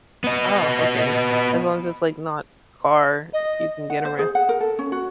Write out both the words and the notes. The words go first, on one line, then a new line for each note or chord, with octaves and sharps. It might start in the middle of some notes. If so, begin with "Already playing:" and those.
Oh, okay. As long as it's like not car, you can get around.
B3 D#5
D#5
F#5
C5
G#4
F#5
A#4
A4
C#4
F#4